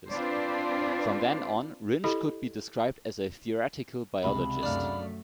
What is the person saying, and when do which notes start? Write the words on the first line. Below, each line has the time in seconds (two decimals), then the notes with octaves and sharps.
From then on Wrinch could be described as a theoretical biologist.
0.11 C4 D4 F4 B4 C5 D5
2.04 E4 G4 A4 D#5 B5
4.23 C#2 C3 B5
4.63 F#2 A3 D4 F5